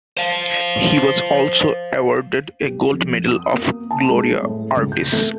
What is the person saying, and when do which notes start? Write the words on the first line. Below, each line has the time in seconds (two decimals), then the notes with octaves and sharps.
He was also awarded a Gold Medal of Gloria Artis.
0.17 C5 F5
2.65 G4
2.93 F2
3.28 D#6
3.53 A#3
3.91 A5
4.10 G#3
4.43 A2
4.76 C#2
4.92 G6
5.12 A3